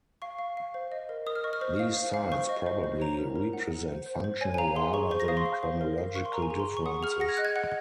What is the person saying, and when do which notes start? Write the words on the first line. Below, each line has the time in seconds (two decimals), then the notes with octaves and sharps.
These sites probably represent functional rather than chronological differences.
0.22 F5 C#6
0.39 F5
0.57 F5
0.74 C5
0.92 D#5
1.09 A#4
1.26 A#4 D#6
1.36 F6
1.44 D#5 C#6
1.53 F6
1.61 C5 D#6
1.79 F5
1.97 C5
2.14 F5
2.32 C5 C#6
2.49 D#5
2.66 C5
2.84 C5
3.01 C#5 A#5
3.19 A#4
3.36 A#4
3.53 F#5
3.71 F#5
3.88 C5
4.06 C5
4.24 C5
4.41 C#5 G#5
4.54 G#5
4.58 F5 A#5
4.76 G#4 C6
4.93 G#4 C#6
5.11 C5 C#6
5.20 A#6
5.28 F5 D#6
5.37 C6
5.46 F5
5.63 C5
5.81 A#4
5.98 F5
6.15 A#4 C#6
6.25 C6
6.33 A#4 A#5
6.42 G#5
6.50 G#4 A#5
6.60 C6
6.68 G#4
6.77 C#6
6.86 F#5 D#6
7.03 G#4 F6
7.20 F#5 A#6
7.29 G#6
7.37 D#5 F#6
7.45 G#6
7.56 F#5